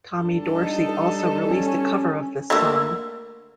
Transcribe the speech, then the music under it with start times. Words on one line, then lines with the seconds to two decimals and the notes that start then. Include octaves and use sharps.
Tommy Dorsey also released a cover of this song.
0.17 G3 D4 A4
0.50 D#4
1.46 C#4
2.50 D3 A3 A#3